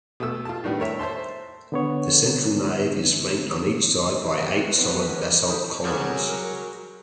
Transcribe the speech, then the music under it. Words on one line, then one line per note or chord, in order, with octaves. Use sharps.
The central nave is flanked on each side by eight solid basalt columns.
B2 A3 E6
F4 A5
A2 D#3 G3 B3 D4
A3 A#4 C#5 E5
C5 E5 A5 C6
D3 B3 C#5
E2 F#3 G4 A#4 E5 D6
B3
G#2 C3 D#3 F#3 B3
C#4 F#4 G#4 B4
A#4 D6
D3 F3 E4 C5 B5 D#6
G3 G#3 F#4 G#4 A#4 C#5 E5